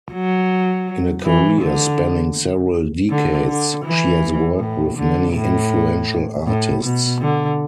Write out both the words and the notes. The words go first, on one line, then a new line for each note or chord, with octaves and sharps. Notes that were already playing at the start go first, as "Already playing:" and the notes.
In a career spanning several decades, she has worked with many influential artists.
F#3
E3
D3
D3
D3
E3
A2
D3
A2
A2
B2
D3